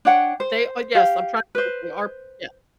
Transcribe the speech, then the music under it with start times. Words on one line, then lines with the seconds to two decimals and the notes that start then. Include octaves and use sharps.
They uh, yes, I'm trying to think they are p yeah.
0.05 D4 C#5 F#5 G5
0.40 C5
0.95 G4 F5
1.55 B4 C5